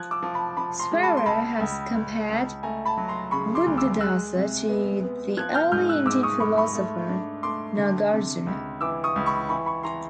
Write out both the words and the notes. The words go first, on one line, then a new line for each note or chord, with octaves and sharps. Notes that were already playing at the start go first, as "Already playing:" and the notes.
Swearer has compared Buddhadasa to the early Indian philosopher Nagarjuna.
Already playing: F3 F#6 G#6
D6 E6
F3
A5 B5
F3 A5 B5
A#5 C6
G#3
A5 B5
C6
C#2 A5 B5
C#2
C#2
C#2
A3 G#5 A#5
A5 B5
F#3
A#5 C6
C#3 B5 C#6
C6 D6
D2
D6 E6
G#3 E6 F#6
C3
B3
B3
F3 F#6 G#6
F6 G6
G#2 F6 G6
E6 F#6
G#2 D6 E6
C#6 D#6
G#2 B5 C#6
B5 C#6
A3
D4
A3 C6 D6
D3
C3
C#2
E3 D6 E6
C#6 D#6
C#2
B5 C#6
E3 B5 C#6
B5 C#6
E3 A#5 C6